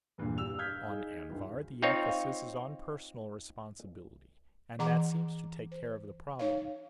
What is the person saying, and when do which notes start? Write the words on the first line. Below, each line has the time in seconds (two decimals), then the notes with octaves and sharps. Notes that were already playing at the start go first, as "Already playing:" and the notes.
On Anvhar the emphasis is on personal responsibility, and that seems to take care of the problem.
0.18 E2 G2 A#2 E3
0.38 G4 E6 F7
0.58 F5 D#6 F6 G6 G#6 B6
0.86 D#4 G#4
1.29 D1 G2
1.82 C4 D#4 F4 C#5
4.79 E3 G#4 F#5 A#5 C6 D6
5.72 C5
6.39 D#4 C#5 F5